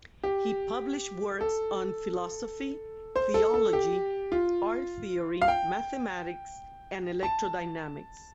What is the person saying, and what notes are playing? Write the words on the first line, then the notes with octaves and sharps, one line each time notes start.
He published works on philosophy, theology, art theory, mathematics and electrodynamics.
G4
A4
C5
A4
A4
G4
F4
F5
G5
A5